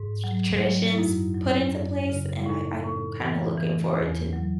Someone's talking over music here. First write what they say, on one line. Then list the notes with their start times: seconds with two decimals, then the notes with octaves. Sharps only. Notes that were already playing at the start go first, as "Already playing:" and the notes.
s traditions put into place, and I I'm kinda looking forward to
Already playing: G#2
0.24 F#3
0.61 F#3
0.92 E4
0.97 F#2 D#4
1.35 F#3
1.72 F#2
2.10 C#3
2.36 E4
2.46 A2 D#4
2.84 A2
3.21 E3
3.58 E3
3.95 E2
4.33 F#3